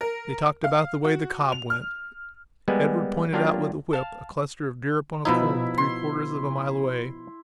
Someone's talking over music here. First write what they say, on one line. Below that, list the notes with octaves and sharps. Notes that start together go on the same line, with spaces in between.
They talked about the way the cob went; Edward pointed out with the whip a cluster of deer upon a coombe three-quarters of a mile away.
A#4
F5
F#4
F7
F6
G3 G#3 A#3 B3 G#5
F#3 A#3 D4 F4 G4 F5
F5 A5
B2 F3 D#4 E4 E5 B5
C6